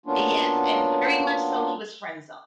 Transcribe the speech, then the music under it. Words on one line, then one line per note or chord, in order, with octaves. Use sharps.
Yes, and very much so he was friend zoned,
F#3 A#3 B3 C#4 D4 F4